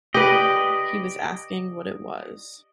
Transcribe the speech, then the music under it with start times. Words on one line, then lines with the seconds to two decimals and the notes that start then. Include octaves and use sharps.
He was asking what it was.
0.14 G4 B4 D5 D#5